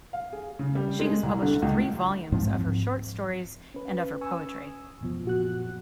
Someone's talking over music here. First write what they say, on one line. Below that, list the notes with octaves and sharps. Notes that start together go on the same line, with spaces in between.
She has published three volumes of her short stories and of her poetry.
F5
G#4
C#3
G3
G#3
C2
D3
C#2
G#2 F3 C4
C#4 B4
G#5 C#6 D#6 E6
F#2 B2 F3
A#2 F#4 F#6